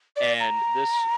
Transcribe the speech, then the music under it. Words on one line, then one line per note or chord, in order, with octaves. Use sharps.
and this
D5
A#5